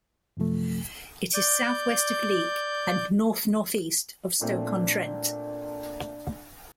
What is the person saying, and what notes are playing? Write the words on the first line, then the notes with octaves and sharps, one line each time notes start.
It is southwest of Leek and north-northeast of Stoke-on-Trent.
F#2 C3 F3 A3
D5 G6
A#2 A3 C4 D4